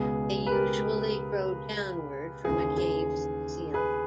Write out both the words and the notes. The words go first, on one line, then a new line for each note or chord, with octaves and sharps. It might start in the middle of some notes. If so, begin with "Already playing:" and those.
They usually grow downward from a cave's ceiling.
Already playing: C#2 B2 G#3 B3 G#4
B4
G4 A#4
D#2 C#3 E3 G#4
G#4
G#4 B4